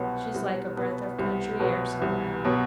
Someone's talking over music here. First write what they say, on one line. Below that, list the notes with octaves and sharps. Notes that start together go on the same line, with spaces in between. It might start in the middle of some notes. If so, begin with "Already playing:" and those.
She's like a breath of country air, somehow.
Already playing: C2 B2 F#3 B3
C2
B2 F#3 B3
C2
B2 F#3 B3
C2
B2 F#3 B3